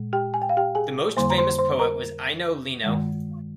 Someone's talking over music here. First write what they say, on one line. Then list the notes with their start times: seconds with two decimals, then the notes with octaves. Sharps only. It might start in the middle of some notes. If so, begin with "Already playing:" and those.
The most famous poet was Eino Leino.
Already playing: A#2 G#3
0.13 G4 G5
0.34 G#5
0.42 G5
0.49 F5
0.57 G4 G5
0.75 G#4 G#5
1.16 F2 D3 G3 A#3 C5 C6
1.30 A#5
1.38 C5 C6
1.59 C5 C6
1.80 A#4 A#5
2.84 G2 D#3 G#3